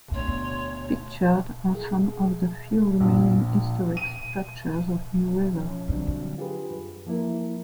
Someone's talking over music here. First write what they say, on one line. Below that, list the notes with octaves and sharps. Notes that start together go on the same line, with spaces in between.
Pictured are some of the few remaining historic structures of New River.
D2 B2 C#5 C6
G#4
A#1
D#7
F3 C#4
D3 F#3 G3 C4 D4
F4 G4 G#4 B4
F#2
F3 A#3 E4 A#4